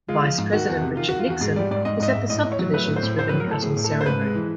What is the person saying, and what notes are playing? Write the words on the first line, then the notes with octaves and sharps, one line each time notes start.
Vice President Richard Nixon was at the subdivision's ribbon-cutting ceremony.
G#3 F4
F3
G#2
D#3 F#4
E2
C3
D#3 F4
F#4
D#3
F4
E2 F#4
G#2 G#4
G3 D5
G#2 D5
G#2 D#5
G#2 D#5
E5
G#2
A2 D#5
A2
C#5
F#3
A3 B4
A2
C5
A2
A3 C5
B4
F#3
A#4
A2 A4
A2 G#4
A2
A4
A3
C5
G#2 B4
G#3
E3